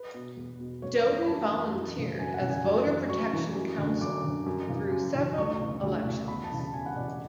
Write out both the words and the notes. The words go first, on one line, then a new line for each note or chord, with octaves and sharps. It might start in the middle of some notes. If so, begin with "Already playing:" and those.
Dodin volunteered as voter protection counsel through several elections.
Already playing: B4
B2
E2
B2
F#2 C#5
E3
B5
F#2 A5
E3
F#2
C#3 E3
F#2 G#5
F#5
C#3 E3
G#5
F#2
E3
F#2 C#6
E3
F#2
D3
F#2 D6
D3
F#2
C#3 E3
F#2
C#3 E3
D2 C#6
C#3 E3
D2
C#3 E3
E2 B5
A5
C#3 E3
A5
E2 G#5
F#5
C#3 E3 D5
D5